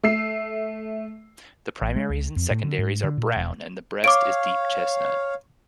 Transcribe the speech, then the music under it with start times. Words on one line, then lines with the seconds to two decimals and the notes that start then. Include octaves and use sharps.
The primaries and secondaries are brown and the breast is deep chestnut.
0.03 A3 E6 C7
1.81 A1
1.96 G#3
2.10 C#2
2.36 F2
2.51 A2
2.64 D3
2.78 G#2
3.04 D3
3.18 A#2
3.36 E1
4.04 C#5 F5 D6 D7